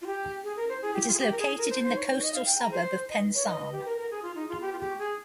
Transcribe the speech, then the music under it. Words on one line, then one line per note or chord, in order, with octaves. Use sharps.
It is located in the coastal suburb of Pensarn.
F4
G4
G#4
A#4
C5
G#4
G4
F4
G#4
G4
A#4
G#4
A#4
C5
C5
C#5
D#5
F5
G5
A#5
C5
D#5
C#5
D#5
D#5
G4
A#4
A#4
G#4
F4
D#4
F4
G4
F4
G4
G#4